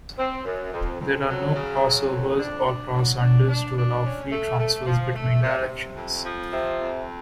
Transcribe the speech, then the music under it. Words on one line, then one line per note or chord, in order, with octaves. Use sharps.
There are no crossovers or crossunders to allow free transfers between directions.
C4
F#2
F2
F2
F#3
C#3
F#3
F2
D4
D4
F#3
D4
D4
D4
C#4
A3
A3
F3
A3
C3
C3
F2
F3
C3
F2